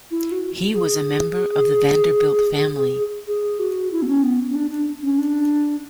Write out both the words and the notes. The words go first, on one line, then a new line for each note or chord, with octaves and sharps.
He was a member of the Vanderbilt family.
E4
F#4
G#4
G#4
F#4
E4
B3
C#4
B3
C#4
D4
D4
C#4
D4